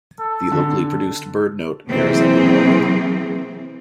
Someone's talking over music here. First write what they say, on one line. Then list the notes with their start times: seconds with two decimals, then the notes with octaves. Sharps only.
The locally produced BirdNote airs every morning.
0.19 A4
0.52 D3
1.87 C3 E3 F#3 A#3 C4 G#4